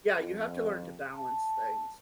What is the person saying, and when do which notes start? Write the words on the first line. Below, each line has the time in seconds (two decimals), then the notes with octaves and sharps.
yeah, you have to learn to balance things.
0.19 F2
1.12 A5